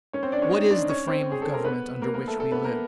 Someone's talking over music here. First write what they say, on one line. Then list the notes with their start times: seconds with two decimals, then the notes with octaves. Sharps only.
What is the frame of Government under which we live?
0.13 C#4 C#5
0.23 C4 C5
0.32 D4 D5
0.42 C#4 C#5
0.51 D#4 D#5
0.71 D4 D5
0.89 C#4 C#5
1.07 C4 C5
1.32 G#4
1.42 A4
1.53 A#4
1.65 B3 B4
2.02 A#3 A#4
2.14 A#3 A#4
2.28 A3 A4
2.39 A3 A4
2.52 B3 B4
2.64 A#3 A#4